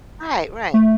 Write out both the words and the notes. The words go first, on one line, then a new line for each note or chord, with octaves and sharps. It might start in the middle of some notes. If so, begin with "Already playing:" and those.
Right, right.
A3